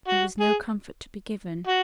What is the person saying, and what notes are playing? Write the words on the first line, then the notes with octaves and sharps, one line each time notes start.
There was no comfort to be given.
F#4
G#4
F#4